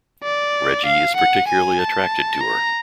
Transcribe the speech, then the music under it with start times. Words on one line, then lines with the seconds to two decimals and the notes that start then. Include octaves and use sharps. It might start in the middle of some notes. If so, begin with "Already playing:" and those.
Reggie is particularly attracted to her.
0.23 D5
0.86 F5
1.16 F#5
1.47 G#5
1.79 A5
2.40 A#5